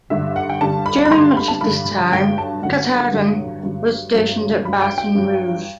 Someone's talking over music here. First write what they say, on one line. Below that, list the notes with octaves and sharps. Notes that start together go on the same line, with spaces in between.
During much of this time "Katahdin" was stationed at Baton Rouge.
G2 D3 G3 E5
F#5
G5
G2 D3 G3 A5
B5
B5
G2 D3 G3 C6
B5
A5
G2 D3 G3 B5
G2 D3 F#3 G5
A5
G2 D3 F#3 F#5
G2 D3 F#3
G2 D3 F#3
G2 F#3
G2 F#3 B5
G5
G5
G2 F#3